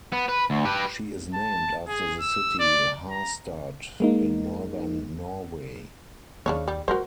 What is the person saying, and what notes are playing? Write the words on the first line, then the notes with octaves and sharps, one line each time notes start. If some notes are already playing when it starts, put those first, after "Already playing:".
She is named after the city Harstad in Northern Norway.
B3
B4
D2
G4 B4
A5
G#4
E6
D5
A#5
G#3 A#3 D#4
D#2 C#3 D4 C#5
G3
G#3 F#4 A#4 C5